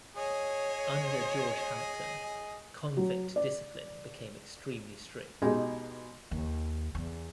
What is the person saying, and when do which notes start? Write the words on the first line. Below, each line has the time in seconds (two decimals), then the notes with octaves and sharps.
Under George Hampton, convict discipline became extremely strict.
0.16 G#4 C#5 D#5
2.97 F#3
3.36 D5
5.42 B2 G#3 D#4 G4 G#4
6.31 D#2
6.95 E2